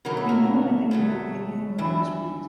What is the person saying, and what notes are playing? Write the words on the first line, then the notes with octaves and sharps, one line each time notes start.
We never met anyone we knew were lesbians.
B2 F#3 A3 A#4
A4
A#4
B2 F#3 A3
G2 E3 E5